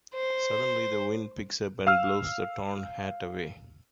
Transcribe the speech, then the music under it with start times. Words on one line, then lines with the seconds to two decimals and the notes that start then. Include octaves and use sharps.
Suddenly, the wind picks up and blows the torn hat away.
0.14 C5
1.87 F5 E6 F6